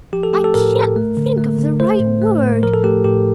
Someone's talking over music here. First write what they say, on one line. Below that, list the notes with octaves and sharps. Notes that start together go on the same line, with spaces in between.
I can't think of the right word.
F3 G4
A4
A3 G4
A4
A2 A#4
A2
A3
D3
A3
D3
A3 C5
A2
A3
A2
F3 A#4
A4
A3 G4
A2 G4